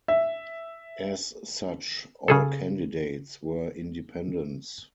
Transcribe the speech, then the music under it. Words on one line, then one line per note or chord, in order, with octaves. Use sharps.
As such, all candidates were independents.
E5
C#3 G#4 A4